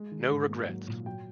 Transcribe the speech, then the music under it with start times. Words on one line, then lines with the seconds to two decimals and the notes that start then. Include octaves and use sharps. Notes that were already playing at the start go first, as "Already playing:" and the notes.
No regrets.
Already playing: G#3
0.12 D#3
0.31 G#2
0.49 A#3
0.69 F#3
0.88 A#2
1.06 F#3 G5